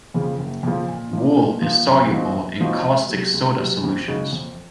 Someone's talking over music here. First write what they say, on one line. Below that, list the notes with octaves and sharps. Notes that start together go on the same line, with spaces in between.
Wool is soluble in caustic soda solutions.
F2 C#3 F3
F#1
F2 C#3 F3
A#2
F3 A#3
A#2
F3 A#3
F#2
F3 C4 D#4 F#4
F#2
F3 C4 D#4 F#4
C#2
C3 F#3
C#2
C3 F#3
F2
C#3 G#3 D#4 F#4
F2